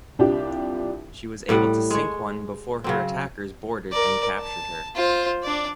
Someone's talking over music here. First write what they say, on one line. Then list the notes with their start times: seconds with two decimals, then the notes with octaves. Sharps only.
She was able to sink one before her attackers boarded and captured her.
0.19 C2 D4 F4 G4
1.49 A2 G3 F#5
1.91 G#3 C#5
2.84 C#3 F#3 C4
3.92 A#4 D5
4.40 A5
4.95 F4 C5
5.43 D4 D5